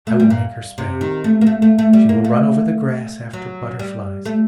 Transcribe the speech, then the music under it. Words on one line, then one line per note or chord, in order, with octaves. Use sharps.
I will make her spell. She will run over the grass after butterflies.
A3
G3
A#2
C3
D#3
A3
A#3
A3
A3
A3
G3
A#3
A3
F#3
G3
A3